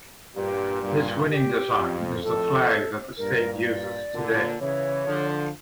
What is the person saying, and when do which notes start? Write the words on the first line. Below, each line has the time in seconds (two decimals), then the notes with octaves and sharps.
His winning design is the flag that the state uses today.
0.35 G2 A#2 G4
0.82 G2 A#2
1.30 G4
1.77 F2
2.23 F2 A2 A4
3.18 G2 A#2 A#4
3.65 D5
4.12 A#2 D3
4.60 C#3 E3 C#5
5.07 D3 F3